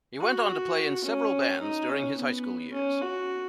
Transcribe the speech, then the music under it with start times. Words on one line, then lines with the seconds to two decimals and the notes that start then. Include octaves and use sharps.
He went on to play in several bands during his high school years.
0.21 F#4
1.04 C#4
1.61 D#4
1.89 C#4
2.17 B3
2.73 C#4
3.01 F#4